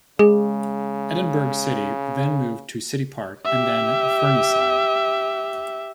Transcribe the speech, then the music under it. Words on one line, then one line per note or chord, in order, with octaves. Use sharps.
Edinburgh City then moved to City Park and then Fernieside.
C#3 G#3 G#4
G4 E5